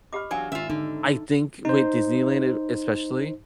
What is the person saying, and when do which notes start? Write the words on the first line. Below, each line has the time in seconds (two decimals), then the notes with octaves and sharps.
I think with Disneyland, it especially,
0.13 G4 D#5 B5 D6 F6
0.31 E2 F#3 D4 A#4 F5 G#5
0.52 G#1 F4 E5
0.70 D3 D#4
1.65 D#4 C5